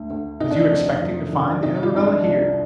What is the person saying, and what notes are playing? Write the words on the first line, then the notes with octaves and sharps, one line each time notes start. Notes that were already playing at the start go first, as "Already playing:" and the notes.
"Was you expecting to find the Arabella here?"
Already playing: D2
D2
C3 D#4
D4
D#4
F2
F2
D#3
C3 D#4
F4
C2 D#4
D4
C2 D4